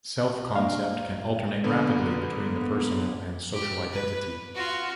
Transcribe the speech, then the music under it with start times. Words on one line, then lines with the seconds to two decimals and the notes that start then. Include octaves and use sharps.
Self-concept can alternate rapidly between the personal and social identity.
0.27 F4
0.56 A#3 D4 D#5 F5
1.64 D3 A#3 B3
3.53 G4
3.93 B4
4.55 F4 F#4